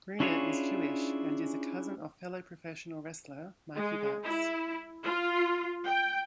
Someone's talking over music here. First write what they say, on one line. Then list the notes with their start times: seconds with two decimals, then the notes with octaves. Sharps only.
Gruner is Jewish, and is a cousin of fellow professional wrestler Mikey Batts.
0.20 C#4 D4 E4 F4 G#4 C#5
3.75 G#3
4.25 E4
5.04 F4
5.85 G5